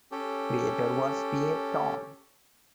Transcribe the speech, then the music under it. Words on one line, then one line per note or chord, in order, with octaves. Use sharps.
Creator was Piet Ton.
C#4 G4 A4